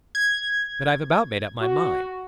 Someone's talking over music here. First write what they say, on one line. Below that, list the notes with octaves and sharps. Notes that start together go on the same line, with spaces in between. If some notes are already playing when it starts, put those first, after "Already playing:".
But I've about made up my mind.
G#6
F#4